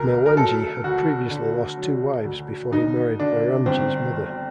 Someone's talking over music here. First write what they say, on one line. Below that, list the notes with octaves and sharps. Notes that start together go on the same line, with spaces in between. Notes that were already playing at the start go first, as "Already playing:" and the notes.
Merwanji had previously lost two wives before he married Behramji's mother.
Already playing: D2 A#4
A#4
F#3 A4
D2 F#4
D3
F#3
D2
D2 D#4
D3 D4
G1 C4
G1